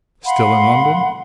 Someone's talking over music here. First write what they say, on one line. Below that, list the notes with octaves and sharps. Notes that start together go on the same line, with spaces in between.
"Still in London?"
F5 F#5 B5 C6